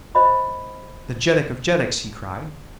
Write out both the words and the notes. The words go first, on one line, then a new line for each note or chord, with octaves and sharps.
"The Jeddak of Jeddaks!" he cried.
C5 D#5 B5